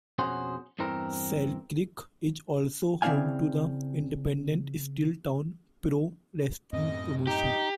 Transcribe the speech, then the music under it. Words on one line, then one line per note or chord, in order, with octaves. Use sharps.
Selkirk is also home to the independent Steeltown Pro Wrestling promotion.
F2 B2 C#4 F#4 G#4 C5
E2 G2 E3 C4 A#4
C#3 C4 E4 D5 F5 G#5
F#2 A2 C4 D#5
D#4 G4